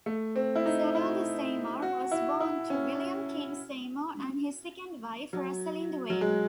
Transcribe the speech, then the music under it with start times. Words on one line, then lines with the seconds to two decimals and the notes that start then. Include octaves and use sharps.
Gerald Seymour was born to William Kean Seymour and his second wife, Rosalind Wade.
0.06 A3
0.36 C4
0.55 E4
0.66 D#4
0.95 E4
1.82 F#4
2.11 E4
2.40 E4
2.70 C#4
5.33 F#3
6.10 F#3
6.21 G#3